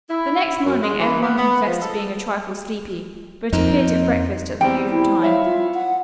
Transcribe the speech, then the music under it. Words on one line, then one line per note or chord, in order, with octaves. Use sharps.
The next morning every one confessed to being a trifle sleepy, but appeared at breakfast at the usual time.
E4
F#2
G#3
E3
B3
B3
F3
A4
F2 A#3 C4 D#4
E2 G3 C4 G5
E4
C#5 E5 F5
F4
F#5